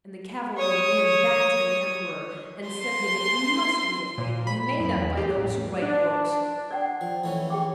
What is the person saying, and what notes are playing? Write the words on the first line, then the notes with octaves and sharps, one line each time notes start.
And the Cavalier ran back to the Emperor, and said that it must be a fable made up by those who write books.
C#5 D#6
C6
A#2
B5
F#2
E2
G4
A1
D4
D5 F#5 G5
F3
E3 A3 C#4
G#4 G5 D6